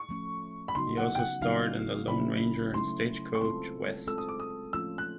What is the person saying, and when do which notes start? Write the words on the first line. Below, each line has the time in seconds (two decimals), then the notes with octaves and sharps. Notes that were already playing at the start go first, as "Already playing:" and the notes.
He also starred in "The Lone Ranger" and "Stagecoach West".
Already playing: C#6
0.09 F3 A3 C#4
0.68 B5
0.75 C#3 F#3 B3 D#4 F#4 C6
0.97 F#5
1.15 G5
1.19 F#5
1.41 C#3 F#3 B3 D#4 F#4 F5
2.08 C#3 F#3 A3 C#4 E4 B5
2.74 C#3 F#3 A3 C#4 E4 C6
3.35 C#6
3.41 G#3 C4 F4 A4 C6
4.07 G#3 C4 F4 A4 E6
4.18 D#6
4.29 D6
4.40 D#6
4.73 F3 A3 C#4 F4 E6
4.98 F#6